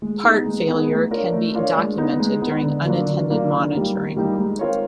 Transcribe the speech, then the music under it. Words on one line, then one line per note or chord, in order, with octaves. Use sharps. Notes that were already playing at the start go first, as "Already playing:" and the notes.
Part failure can be documented during unattended monitoring.
G#3
B3 D#4 G#4
G#3
B3 D#4 G#4
A3
D4 F4 A#4 C#5
A3
D4 F4 A#4 C#5
G#3
B3 D#4
G#3
B3 D#4
D3
F#3 A#3 D4 F4
D3
F#3 A#3 D4 F4
D#3
G3 A#3 D#4
D#3
G3 A#3 D#4
G#3
C4 F4 A#4 C#5